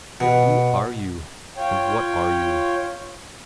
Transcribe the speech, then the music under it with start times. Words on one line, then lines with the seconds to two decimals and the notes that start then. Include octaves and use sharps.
Who are you? and what are you?
0.20 B2
1.57 F4 C#5 G5